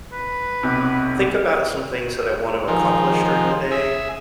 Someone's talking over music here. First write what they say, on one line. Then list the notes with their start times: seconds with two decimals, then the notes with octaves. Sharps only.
think about some things that I wanna accomplish during the day,
0.12 B4
0.63 B1 C3
2.68 D#3 F3 G#3
3.71 G#4 E5